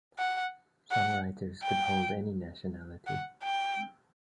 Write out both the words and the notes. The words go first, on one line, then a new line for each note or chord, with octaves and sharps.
Songwriters could hold any nationality.
F#5
F#5
G5
F#5
G5